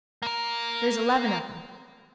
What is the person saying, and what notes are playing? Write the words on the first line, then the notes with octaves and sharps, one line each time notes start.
There's eleven of them.
A#3 A#4